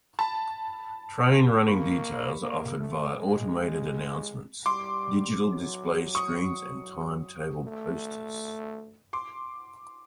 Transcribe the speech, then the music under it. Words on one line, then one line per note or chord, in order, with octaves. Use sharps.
Train running details are offered via automated announcements, digital display screens and timetable posters.
A5 B5
A#3 B5 C#6
A#3
A3
G#3
G3 C6 D6
F#3
C#6 D#6
A3
C6 D6